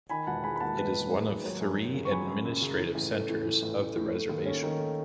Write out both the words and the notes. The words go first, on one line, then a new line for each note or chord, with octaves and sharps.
It is one of three administrative centers of the reservation.
D#3 G#5 B5
E1 F#5 A5
G#3 G#5 B5
B5
D#2 F#5 A5
D#3 B4
E1
G#3
D#2
F#3 C#5
F#2
F#2
C#3
C#6
F#3 G#5 B5
F#2
F#2
C#3
E3
A1
A3
A2
E3
A1
A3
A2
A3
D#2
C#4
D#3
A3